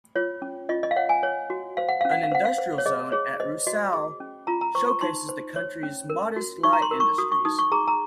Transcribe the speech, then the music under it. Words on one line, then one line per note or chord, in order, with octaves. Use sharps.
An industrial zone at Rusayl showcases the country's modest light industries.
F4 C#5
C#4
F4 D#5
D#5
F5
C#5 F#5
G#5
C#5
F#4
C5 F5
F#5
C#4 F5
F#5
F5
C5 F#5
F5
C5
C#5
G#4 D#5
G#4 C#5
C5 D#5
F#4 D#5
G#4
C#4
F4 A#5
A#5
C5 C#6
C#6
D#4 C6
C5
C#5
C#4
A#4
F#4
D#4 C#6
A#5
C6
A#4
C#6
F#4 D#6
C#6
D#4 D#6
C#6
G#4 A#5
A#5